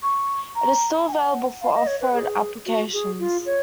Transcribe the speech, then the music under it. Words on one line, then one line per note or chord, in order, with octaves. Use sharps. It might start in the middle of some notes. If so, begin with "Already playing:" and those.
It is still available for off-road applications.
C#6
A#5
G#5
F#5
F5
D#5
C#5
B4
G#4
F#4
G#4
F4
C#5